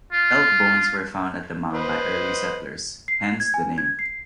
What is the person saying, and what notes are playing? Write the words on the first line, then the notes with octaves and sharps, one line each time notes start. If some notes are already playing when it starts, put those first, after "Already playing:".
Elk bones were found at the mound by early settlers, hence the name.
F4
B4 C5 D#5
C7
G#6
G#5
G#6
C7